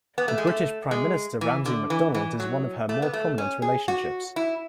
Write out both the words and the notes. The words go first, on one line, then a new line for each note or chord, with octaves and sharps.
The British Prime Minister Ramsay MacDonald is one of her more prominent relationships.
B3
A3
G#3
A3
G#3
E3
D3
E3
E3
F#3
A3
B3
A3
C#4
G#4
F#4
E4